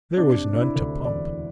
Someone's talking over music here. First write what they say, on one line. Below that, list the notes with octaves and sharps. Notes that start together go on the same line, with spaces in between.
There was none to pump.
C3 D4
C3
D4
E4
D2
E1 D5